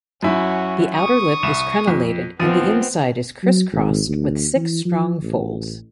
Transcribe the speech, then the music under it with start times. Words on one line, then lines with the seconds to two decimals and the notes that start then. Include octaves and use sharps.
The outer lip is crenellated and the inside is crisscrossed with six strong folds.
0.23 F#2 C#4 E4 F#4
0.94 C#6 D#6
1.43 C2 E7
1.88 F2
2.39 A#1 F3 B3 C4 D#7
3.43 F#3
3.72 G#1
4.07 D2
4.56 E3
4.85 F3
5.23 A1